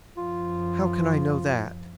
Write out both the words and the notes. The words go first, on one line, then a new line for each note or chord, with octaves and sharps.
"How can I know that?"
F#2 F3 F4